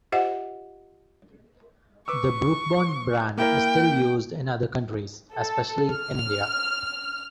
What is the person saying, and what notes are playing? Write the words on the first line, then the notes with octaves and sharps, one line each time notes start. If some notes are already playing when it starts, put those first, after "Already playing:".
The Brooke Bond brand is still used in other countries, especially in India.
F4 G4 C5 D#5 E5 F#5
B4 C#6 D6 E6
A#3 E4 A#4 G5
A4
F6